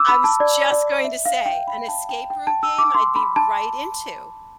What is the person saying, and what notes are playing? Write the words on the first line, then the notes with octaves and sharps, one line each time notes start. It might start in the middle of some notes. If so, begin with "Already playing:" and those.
I was just going to say an escape room game I'd be right into.
Already playing: D6 E6
B5
A5
D5
D5
E5
F5
G5
B5
A5
G5
G5
A5
E6
D6
C6
B5
A5